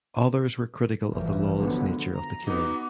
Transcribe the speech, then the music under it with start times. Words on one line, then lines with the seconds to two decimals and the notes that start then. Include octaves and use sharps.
Others were critical of the lawless nature of the killing.
1.11 A1 F#2 E3 F3
1.56 D3 F3 F#3 G#3 B3
2.15 A#5
2.47 B3 D#4 F#4 D6